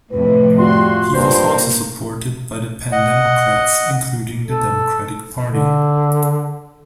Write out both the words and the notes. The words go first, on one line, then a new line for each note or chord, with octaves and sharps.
He was also supported by the pan-democrats, including the Democratic Party.
F2 A2 C3 B4
G3 F4 F#4 C6
G2 A#3 C5
D#5 F#5
A4
D3